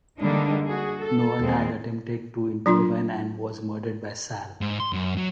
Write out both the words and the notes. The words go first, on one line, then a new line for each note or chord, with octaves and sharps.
Noel had attempted to intervene and was murdered by Sal.
D3 G3 G#3 A#3 D4 D#4
F#4 G#4
A4
D#2 F3 G#3 C4
F#3 D4 F4 C6
G#2
C6
F#2
F#3